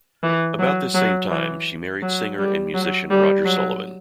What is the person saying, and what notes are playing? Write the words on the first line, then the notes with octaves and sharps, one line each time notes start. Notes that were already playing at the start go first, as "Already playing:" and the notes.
About this same time, she married singer and musician Roger Sullivan.
E3
F#3
F#3
E3
F#3
G3
F#3
G3
F#3